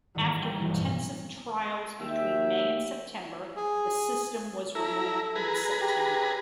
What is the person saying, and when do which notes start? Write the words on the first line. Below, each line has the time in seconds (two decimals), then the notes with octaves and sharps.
After intensive trials between May and September, the system was removed in September.
0.15 E2 G#2 D#3 G3
0.42 G5 A#5 C6 E6 C7
0.58 A#1 A2 E3 F#3
0.70 G2 B2 F5
1.99 D#2 E5 G5
3.56 G#4
4.75 E4 A4 A#5
5.35 G#4 B4 A#5
5.81 G4